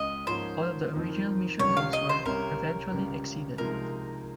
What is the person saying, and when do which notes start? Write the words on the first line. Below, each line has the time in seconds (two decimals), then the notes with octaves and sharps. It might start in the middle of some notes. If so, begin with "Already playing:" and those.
All of the original mission goals were, eventually, exceeded.
Already playing: C#2 C#3 G#3 D#5
0.27 G#2 F3 A#3 C#4 C5
0.93 F2 D#3 A#3 D#4
1.59 C#2 C3 G3 C#5
1.77 F5
1.93 D#5
2.09 C5
2.25 C2 C3 G3 C#4 A#4
2.91 C#2 C#3 G3
3.58 C2 C3 F3 G#3 D#4 A#4